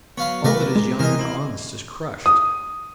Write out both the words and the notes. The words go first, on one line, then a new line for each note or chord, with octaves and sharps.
All that is young and honest is crushed!
F#3 B3 C#5 F5 B5
C3 A3 A#4 B4 D5
G#3
C3 E3 A#4 D#5
C4 E4
D#6